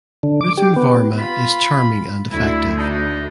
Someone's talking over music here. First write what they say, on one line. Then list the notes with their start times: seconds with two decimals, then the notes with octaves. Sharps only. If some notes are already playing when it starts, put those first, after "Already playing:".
Ritu Varma is charming and effective.
0.23 D3
0.41 D6
0.57 G4
0.76 B3
1.19 F4 B5
2.31 D2 E4
2.77 D4 D#4